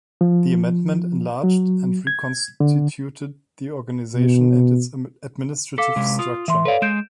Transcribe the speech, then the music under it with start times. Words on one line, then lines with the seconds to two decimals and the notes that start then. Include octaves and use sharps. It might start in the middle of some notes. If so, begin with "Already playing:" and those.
The amendment enlarged and reconstituted the organisation and its administrative structure.
0.21 F3
1.44 F#3
2.07 G#6
2.60 D3
4.15 B2
5.78 A4 F5 D6 B6
5.96 C3 G#3
6.19 F4 D#6
6.48 E3 E5 C6
6.65 A4 B4 C#5 D5 F5
6.82 G#3 G6 D7 E7